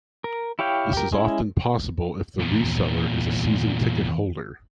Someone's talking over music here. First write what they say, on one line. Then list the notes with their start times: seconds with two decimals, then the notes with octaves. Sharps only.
This is often possible if the reseller is a season ticket holder.
0.24 A#4
0.59 E4 G4 C#5 F5 G5
0.93 G4 A#4
1.12 G#3 C#4 E4
2.39 E2 A#2